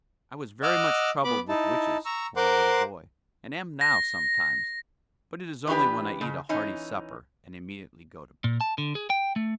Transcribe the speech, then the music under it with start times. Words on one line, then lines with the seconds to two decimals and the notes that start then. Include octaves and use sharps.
I was very much troubled with witches when a little boy and am now sometimes, but it is only when I eat a hearty supper and immediately go to bed.
0.63 D#5 F#5 D6 E6 F6
1.24 B3 B5 D6
1.49 D#4 E4 A5
2.05 A#5 C#6 E6
2.36 A#4 C5 F#5 C6 D6
3.81 A#6
5.67 E3 B3 D4 G4 B4
6.21 F2 C#3
6.49 E3 C#4 D#4
8.44 A#2
8.61 A5
8.78 D3
8.95 G#4
9.10 G5
9.36 A3